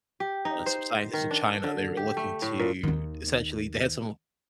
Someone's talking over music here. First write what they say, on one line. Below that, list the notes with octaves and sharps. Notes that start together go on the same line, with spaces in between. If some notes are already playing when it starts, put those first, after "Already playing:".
uh, some scientists in China, they were looking to essentially, they had some
G4
D#4
C5
D#3
D4
D3
G4
A3
A2
A#2
D#2 D#3